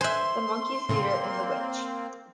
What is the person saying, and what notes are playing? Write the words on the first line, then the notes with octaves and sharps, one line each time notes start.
The Monkey's leader and the Witch.
C5 E5 G#5 C6 F#6
A2 C#3 A#3 C4